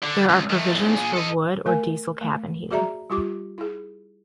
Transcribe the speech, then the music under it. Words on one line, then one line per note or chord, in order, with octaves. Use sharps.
There are provisions for wood or diesel cabin heating.
D3
C#2
D#3 A3
E2 G#2
A#2 G#4
A4 D#5
A3 A#4 G#5
A3
F#4 G#4 D5 E5 A#5
G3 F4 G4 D6
E4 G#4